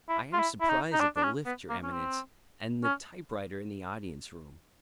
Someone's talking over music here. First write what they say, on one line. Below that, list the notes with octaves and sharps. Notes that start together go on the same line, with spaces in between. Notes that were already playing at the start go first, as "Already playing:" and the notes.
"I am surprised at the lift, your Eminence, and the typewriter in the audience-room."
E4
F4
E4
E4
D#4
D#4
D4
D4
C#4
B3
A#3
C#4
C4
C#4